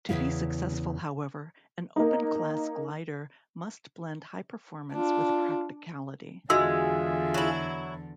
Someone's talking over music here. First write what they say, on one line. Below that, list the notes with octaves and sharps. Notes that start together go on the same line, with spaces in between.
To be successful, however, an Open Class glider must blend high performance with practicality.
E2 G#2 C#3 E4 F5
A#3 D#4
D4 F4
E2 D3 G#3 F4 F#4 G#4 E5 E6
F#3 E4